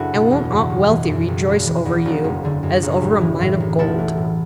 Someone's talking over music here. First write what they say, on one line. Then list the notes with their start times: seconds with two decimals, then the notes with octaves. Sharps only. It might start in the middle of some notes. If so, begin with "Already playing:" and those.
"And won't Aunt Wealthy rejoice over you as over a mine of gold!"
Already playing: F#1 D4 E4 F#4 A4 B4
0.13 B2
0.31 E2
0.51 F#1
0.70 F#1
0.89 E3
1.09 F#2
1.28 F#1
1.47 E1
1.66 E3
1.85 E2
2.05 E1
2.24 F#1
2.45 D3
2.63 F#2
2.83 F#1
3.02 A1
3.21 E3
3.41 A2
3.60 A1
3.79 B1 E4 A4
3.99 E3
4.17 A2